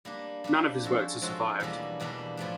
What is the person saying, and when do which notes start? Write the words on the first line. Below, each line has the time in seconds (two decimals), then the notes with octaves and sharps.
None of his works have survived.
0.05 G3 A#3 D4
0.44 G3 A#3 D4
0.83 F3 G#3 C#4 F#4 A4
1.21 F3 G#3 C#4 F#4 A4
1.60 E2 B2 G3 A#3 D4
2.00 E2 B2 G3 A#3 D4
2.37 A2 F3 A3 D4